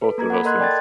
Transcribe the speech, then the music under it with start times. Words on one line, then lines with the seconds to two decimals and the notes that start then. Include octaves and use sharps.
Both of those things.
0.01 A4 B4
0.18 A#3 A#5 G#6
0.30 F#5 B5
0.44 A4 A#4 D#5 C6 F#6 G#6
0.59 D5 G5 A5 G#6 A6